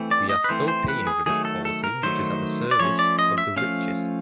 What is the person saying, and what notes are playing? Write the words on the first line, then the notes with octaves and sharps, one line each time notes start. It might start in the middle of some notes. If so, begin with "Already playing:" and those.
We are still paying for this policy which is at the service of the richest.
Already playing: E3 A3 C4
D5
D#5
B4
E3 A3 C4 C5
C5
B4
G#4
D#3 F#3 A3 G#4
A4
A4
A#4
D#3 F#3 A3 C5
D5
F3 A3 C#4 C#5
D5
D#5
E5
F3 A3 C#4 F5